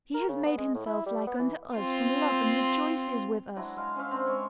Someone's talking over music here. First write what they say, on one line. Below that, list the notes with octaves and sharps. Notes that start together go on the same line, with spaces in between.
He has made Himself like unto us from love and rejoices with us.
A#4
C#3
B3
G#3
A2
E4
G3
B3
E3
C4 F4
F#3 G#3 D4 E4
G#3 F5
C#4 C5 E5 F5
C4 D4 B4
G#3 C#5